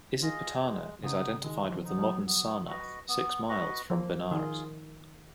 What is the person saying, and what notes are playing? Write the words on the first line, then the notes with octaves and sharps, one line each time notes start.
Isipatana is identified with the modern Sarnath, six miles from Benares.
F4 G#4 D#5
G#3
C#3 B3 D#4
D#3 G#3
F3
B3 D#4
F#3
B3
F#4 B4 D#5
B3
F#4 B4 D#5
F3 A#3
D#3 F4 G#4